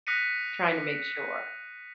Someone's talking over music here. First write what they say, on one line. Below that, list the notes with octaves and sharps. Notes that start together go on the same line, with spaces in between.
trying to make sure."
D#6 F#6 A#6 B6 C#7 D#7